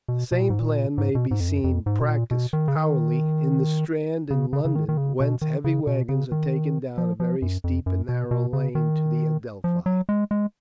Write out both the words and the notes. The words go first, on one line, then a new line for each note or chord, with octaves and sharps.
The same plan may be seen practised hourly in the Strand in London, whence heavy wagons are taken down a very steep and narrow lane to the Adelphi.
B2
B2
A#2
G#2
A#2
G#2
B2
G#2
F2
F#2
F2
G#2
B2
A#2
B2
D#3
C#3
D#3
C#3
C#3
C#3
D#3
D#3
C#3
B2
D#3
C#3
B2
C#3
D#3
F3
F3
F#2
F2
F#2
B2
B2
C#3
D#3
F3
F#3
G#3
G#3